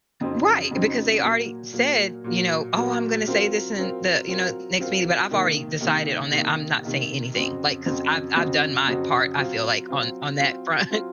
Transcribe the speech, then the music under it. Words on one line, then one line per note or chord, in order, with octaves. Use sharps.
Right, because they already said, you know, "Oh, I'm gonna say this in the," you know, "next meeting," but I've already decided on that, I'm not saying anything, like, 'cause I've I've done my part I feel like, on on that front.
F2 C#3 F#3 C4 D#4
F2 C#3 F#3 C4 D#4
A#2 F#3 A#3
A#2 F#3 A#3
A#2 F#3 A#3
A#2 F#3 A#3
F#3 C4 F4 A#4
F#3 C4 F4 A#4
F#3 C4 F4 A#4
F#3 C4 F4 A#4
C3 D#3 A#3
C3 D#3 A#3
C3 D#3 A#3
C3 D#3 A#3
F2 C#3 F#3 C4 F#4
F2 C#3 F#3 C4 F#4
F2 C#3 F#3 C4 F#4
F2 C#3 F#3 C4 F#4
F#3 C4 F4
F#3 C4 F4
F#3 C4 F4
F#3 C4 F4